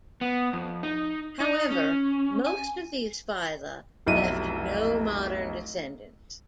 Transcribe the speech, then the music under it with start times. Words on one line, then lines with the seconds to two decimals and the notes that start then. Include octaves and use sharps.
However most of these phyla left no modern descendants.
0.21 B3
0.53 F2
0.83 D#4
1.40 D#4
1.71 C#4
2.46 G#5
4.06 F1 B1 E4 D#7